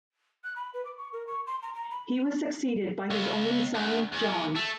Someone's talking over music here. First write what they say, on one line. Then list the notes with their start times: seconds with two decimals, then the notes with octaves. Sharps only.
He was succeeded by his only son, John.
0.43 F#6
0.56 B5
0.73 B4
0.85 D6
0.97 C#6
1.12 A#4
1.27 C#6
1.47 C6
1.62 A#5
1.74 A#5
1.90 B5
3.11 C#2
3.74 D2
4.12 E2
4.56 A3